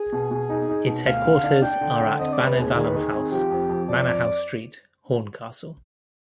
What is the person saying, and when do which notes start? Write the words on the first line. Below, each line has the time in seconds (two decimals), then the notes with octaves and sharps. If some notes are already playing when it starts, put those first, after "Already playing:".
Its headquarters are at Banovallum House, Manor House Street, Horncastle.
Already playing: G#4
0.12 B2
0.31 B2
0.49 D#4
0.69 D#4
0.87 B2
1.06 D2 F5
1.25 D3
1.44 D4
1.62 D4 G5
1.81 D3
2.00 D3
2.19 C4 D#5
2.33 D5
2.38 G#3
2.46 B4
2.56 D#2
2.61 G#4
2.75 D#3 G#4
2.86 B4
2.94 D#3 G#4
3.13 C4
3.31 F3 G4
3.50 F2
3.69 F2
3.88 F2 D5
4.07 F2